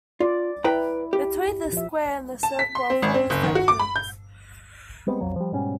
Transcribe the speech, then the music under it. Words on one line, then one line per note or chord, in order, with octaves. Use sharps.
Between the square and the circle are four segments.
F4 D5
E4 B4 G5 A#5
G4
F3 E5
A5
B6
C6
C4
G#1
C4
F#1
D#3
F#4
D6
B5
G6
G3 G#3 B3 C4
B1 F2 F#3
F3 G3
G#2 B2 G3 C#4